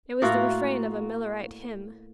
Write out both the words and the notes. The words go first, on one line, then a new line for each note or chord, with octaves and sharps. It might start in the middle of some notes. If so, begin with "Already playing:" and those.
It was the refrain of a Millerite hymn.
A2 A#3 F4 F#4